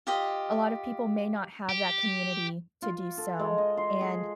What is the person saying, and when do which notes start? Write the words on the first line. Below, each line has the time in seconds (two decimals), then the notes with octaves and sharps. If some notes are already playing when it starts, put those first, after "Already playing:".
a lot of people may not have that community to do so, and
0.07 F4 G4 D#5
1.69 G4
2.82 F4
3.18 A4
3.40 G#3
3.58 D#5
3.77 C6
4.01 G#4